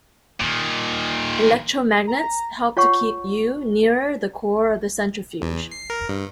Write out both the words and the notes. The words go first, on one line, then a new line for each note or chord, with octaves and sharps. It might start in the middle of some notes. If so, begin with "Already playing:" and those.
Electromagnets helped to keep U nearer the core of the centrifuge.
A#2 D#3
A#5
F4 C#5 F#5 C#6
E2
C7
A#4
G2